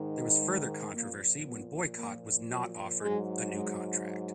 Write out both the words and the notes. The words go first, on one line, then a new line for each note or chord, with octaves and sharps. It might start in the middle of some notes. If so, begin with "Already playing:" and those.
There was further controversy when Boycott was not offered a new contract.
Already playing: G#2 D#3
G#3
A#2 F3 A#3
B3
A#3
F#3
G#2 F#3 G#3
G#3